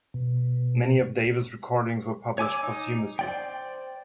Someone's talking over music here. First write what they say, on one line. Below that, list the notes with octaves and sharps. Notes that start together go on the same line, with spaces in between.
Many of Davis' recordings were published posthumously.
B2
C#5 G#5 D6 E6
D#4
C5 D5 G5